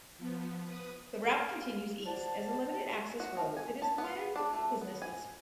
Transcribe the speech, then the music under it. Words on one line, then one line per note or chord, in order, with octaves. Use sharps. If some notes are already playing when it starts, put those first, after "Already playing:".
The route continues east as a limited access road that is lined with businesses.
F3 B3
B4 D#6
F5
C5 D5 F#5 A5
F#4
F3
G#5
A5
B3
D4
A3
B3
G#5